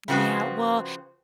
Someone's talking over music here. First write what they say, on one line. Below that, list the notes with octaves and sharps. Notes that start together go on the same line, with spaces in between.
Yeah, well,
C#3 F3 C4 F#4 B4